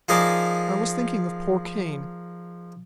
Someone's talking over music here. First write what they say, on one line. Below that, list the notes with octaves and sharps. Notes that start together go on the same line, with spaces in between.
I was thinking of poor Cain.
F3 D#4 G#4 A#4 D5 D6